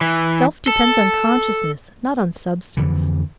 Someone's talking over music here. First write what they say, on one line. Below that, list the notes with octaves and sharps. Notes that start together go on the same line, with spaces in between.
Self depends on Consciousness, not on Substance.
E3
A4
F2 D3 E3